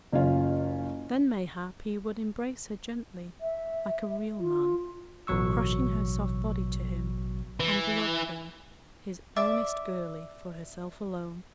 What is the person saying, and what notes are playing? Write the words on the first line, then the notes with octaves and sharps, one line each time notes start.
Then mayhap he would embrace her gently, like a real man, crushing her soft body to him, and love her, his ownest girlie, for herself alone.
F#1 C#4 F4
E5
F4
A1 B2 F#3 C#6 E6
E3
D5 E5 D6